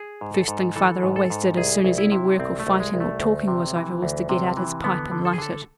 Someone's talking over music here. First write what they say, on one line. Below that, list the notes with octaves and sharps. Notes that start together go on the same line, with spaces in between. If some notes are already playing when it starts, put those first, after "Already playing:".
First thing father always did as soon as any work or fighting or talking was over was to get out his pipe and light it.
Already playing: G#4
G#2
A4
G#2
E3 A4
G#2
A4
G#2
C2 G#4
C2
E4
C3
C2 C4
A3
C2
G#3
C2
A3
D2
C3
E3
D2
C3
E3
D3 B3
D3
A4
G#4
D3 A4